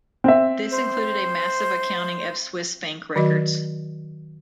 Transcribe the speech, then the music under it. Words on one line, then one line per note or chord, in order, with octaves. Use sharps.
This included a massive accounting of Swiss bank records.
C4 E5
C5
D#3 F#3 F#4 D#5